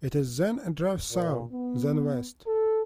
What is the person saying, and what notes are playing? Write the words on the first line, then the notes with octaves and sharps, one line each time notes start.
It is then a drive south, then west.
A#2
B3
A4